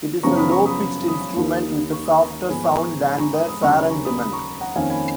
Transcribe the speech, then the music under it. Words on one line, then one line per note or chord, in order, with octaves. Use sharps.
It is a low-pitched instrument with a softer sound than the saron demung.
F#2 C#3 F3 B3 A#5 C#6
B5 D#6
A#5 C#6
B5 D#6
B5 D#6
D#2 D#3 A#3
C#6
D#6
A#5 C#6
G#2 F3 G#3 B3 G#5 B5
A#5 C#6
A#5 C#6
G#5 B5
A#5 C#6
B5 D#6
B5 D#6
D#2 C#3 F#3 A#3 A#5 C#6
G#5 B5
A#5 C#6
B5 D#6
B5 D#6
A#5 C#6
F#5 A#5
F2 D#3 A#3 C#4 F5 G#5
G#5 B5